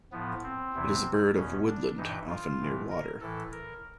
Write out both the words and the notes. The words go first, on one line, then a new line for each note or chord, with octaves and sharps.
It is a bird of woodland, often near water.
A2 F3 B3
C4
E2 C3 E3
E2 B2 C#4
D4
G2 E3 D#4
F4
A2 E3
A#4
A2 E3 A4
A#4